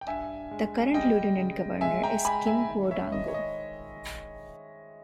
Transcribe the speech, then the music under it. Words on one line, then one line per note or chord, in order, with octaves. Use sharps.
The Current Lieutenant Governor is Kim Guadagno.
G5
G2 E5 G#5
G#3
G3 D#5 G5
C#3
G#3 E5 G#5
G5 A#5
G#3 G#5 B5
E5 G#5
D#3
C#5 E5
D#3 D#5
C#5
D#5